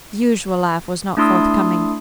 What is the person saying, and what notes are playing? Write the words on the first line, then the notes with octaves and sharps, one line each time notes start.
The usual laugh was not forthcoming.
A3 D4 E4 C6 D#6 E6